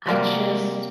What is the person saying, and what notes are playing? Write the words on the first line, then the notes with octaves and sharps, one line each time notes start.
I just,
C3 F#3 G3 A#3